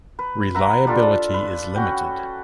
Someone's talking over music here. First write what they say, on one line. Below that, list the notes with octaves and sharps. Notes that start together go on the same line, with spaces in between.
Reliability is limited.
B4
B4 E5 F#5 A#5
G3 D4 F4 A4
A4
B4
C#4 F#4 F#5 G5